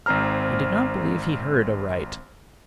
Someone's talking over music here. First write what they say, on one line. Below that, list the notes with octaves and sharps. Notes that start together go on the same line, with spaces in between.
He did not believe he heard aright.
G#1 C4 C5 A#5 F6